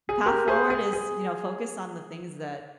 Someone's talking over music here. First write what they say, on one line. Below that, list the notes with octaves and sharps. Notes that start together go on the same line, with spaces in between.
path forward is, you know, focus on the things that
G#4
G4 A#4
G#4 C5
G#4
G#4